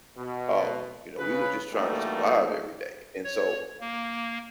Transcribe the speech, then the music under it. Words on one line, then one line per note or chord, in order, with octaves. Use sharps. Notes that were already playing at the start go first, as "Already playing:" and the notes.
um, you know, we was just trying to survive every day. And so,
B2
C#3 B4
E3 G3 A3 A#3 D#4 F#4
C#5
A#3